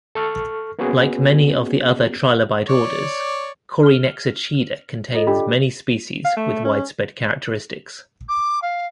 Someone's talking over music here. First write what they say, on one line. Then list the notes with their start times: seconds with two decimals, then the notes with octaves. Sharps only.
Like many of the other trilobite orders, Corynexochida contains many species with widespread characteristics.
0.15 A4 C#6 F6
0.79 A#3 B3 C#4 F#4 G#4
2.69 C#5 D5
3.83 F6 G7
5.14 F4 A4 D#5
5.27 D4 G4 B5
6.24 F5
6.37 A3
6.65 C#4
8.28 D6
8.62 F5